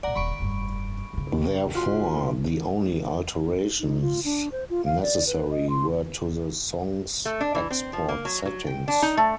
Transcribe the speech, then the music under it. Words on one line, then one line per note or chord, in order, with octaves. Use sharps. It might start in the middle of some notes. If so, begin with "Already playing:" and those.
Therefore, the only alterations necessary were to the songs' export settings.
A#1 E2 D5 F#5 A#5
D#1 D3 B5 C#6 D7
F1 G2
G1 C#3
F4 F#4 C6
D#4
F4
D4
C5
F4
F5
D5
B4
D#5
C6
A3
D4
E3
C4
F3
A#3
F#3
F#3
G5
D4
D#4
A3